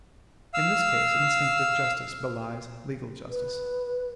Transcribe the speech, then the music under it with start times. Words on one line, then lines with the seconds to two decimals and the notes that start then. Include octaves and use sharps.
In this case, instinctive justice belies legal justice.
0.54 F5 E6
3.31 B4